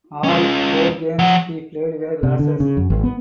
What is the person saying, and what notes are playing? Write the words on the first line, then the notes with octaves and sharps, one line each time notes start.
All four games he played were losses.
C#4 F4
F3 F#5
C3
D3
C#3
F#2
G#1
B3